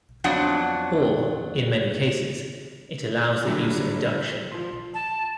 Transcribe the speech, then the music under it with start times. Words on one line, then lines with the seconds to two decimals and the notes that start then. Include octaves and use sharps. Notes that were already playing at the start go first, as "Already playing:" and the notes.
Or, in many cases, it allows the use of induction.
0.24 F2 F#3 B3 D4 F#5
3.46 D3 F#3 G3 D4 E4
4.52 F3 C6
4.94 A5